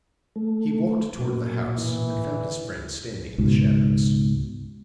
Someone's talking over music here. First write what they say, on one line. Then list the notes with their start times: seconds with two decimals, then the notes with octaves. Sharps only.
He walked toward the house and found his friend standing in the shadows.
0.36 A3
1.20 F#2 A#2
1.78 E3
3.38 C#2 G#2 B2